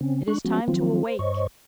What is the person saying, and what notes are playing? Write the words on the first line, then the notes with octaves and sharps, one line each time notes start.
It is time to awake.
C#3 C4 C#4
G#3 D4 C#6 F#6
F3 G#3 B3 C#4 F#4
D#3 F3 F#3 C4 F4
C5
G2 C5 C#5 D#5 C#6